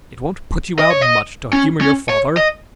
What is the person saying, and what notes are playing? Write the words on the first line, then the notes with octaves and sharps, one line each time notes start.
It won't put you out much to humor your father!
D#5
C#5
D#5
C#4
C#4
C#5
D#5